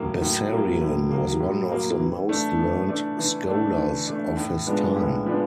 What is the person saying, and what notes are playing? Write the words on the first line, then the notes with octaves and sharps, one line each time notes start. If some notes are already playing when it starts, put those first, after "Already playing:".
Bessarion was one of the most learned scholars of his time.
Already playing: A2 F#3 A#3
A2
F#3 A#3
A2
F#3 A#3
A2
F#3 A#3
E3
A3 D4
E3
A3 D4
E3
A3 D4
E3
A3 D4
A2
F3 G#3 B3 D4
A2
F3 G#3 B3 D4